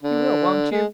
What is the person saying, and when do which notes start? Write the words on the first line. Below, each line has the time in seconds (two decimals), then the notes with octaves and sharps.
You will, won't you?
0.03 D3
0.71 G#3